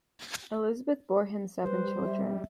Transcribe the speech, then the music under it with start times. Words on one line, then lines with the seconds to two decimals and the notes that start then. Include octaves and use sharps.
Elisabeth bore him seven children.
1.64 G3 B4 C5
2.04 E5